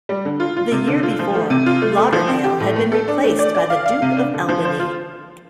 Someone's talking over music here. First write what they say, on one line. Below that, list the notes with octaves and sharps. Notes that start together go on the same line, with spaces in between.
The year before, Lauderdale had been replaced by the Duke of Albany.
G3
D3
F4
F4
C3
D3
F4
F3
A3
C3
F4
A3
A3
F3
C4
G4
A2
A3
A4
D4
A3
D5
D5
F5
F5
C3
D4
D3
F3
C5
F4